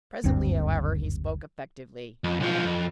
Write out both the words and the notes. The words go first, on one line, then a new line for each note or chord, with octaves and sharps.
Presently, however, he spoke effectively.
F#1 D2 G2 C4
F2
B1 F3
F2